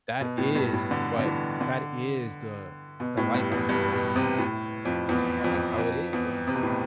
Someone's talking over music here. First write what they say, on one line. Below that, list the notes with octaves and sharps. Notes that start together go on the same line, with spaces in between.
that is but that is the the life out there, right? And and a yeah, what's it called? That's how it is, and,
B2
A2
G2
A2
D3
D3
E3
D3
B2
A2
G2
E2
G2
B2
C3
A2
F2
E2
F2
F2
E2
C3
B2
A2